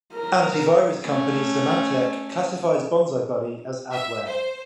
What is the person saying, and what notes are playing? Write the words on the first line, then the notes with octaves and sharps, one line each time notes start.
Anti-virus company Symantec classifies BonziBuddy as Adware.
A#4
A3 C#4
E5
C5